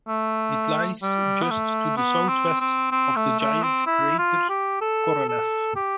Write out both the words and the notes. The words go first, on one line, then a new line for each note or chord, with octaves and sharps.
It lies just to the southwest of the giant crater Korolev.
A3
G3
B3
A3
B3
C4
C4
C4
A3
A3
C4
E4
F4
G4
A4
A4
G4